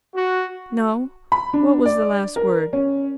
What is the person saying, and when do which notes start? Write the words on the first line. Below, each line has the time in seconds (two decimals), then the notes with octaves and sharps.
No? What was the last word?
0.14 F#4
1.32 B5
1.53 D4
1.86 D5
2.36 A#4
2.73 C#4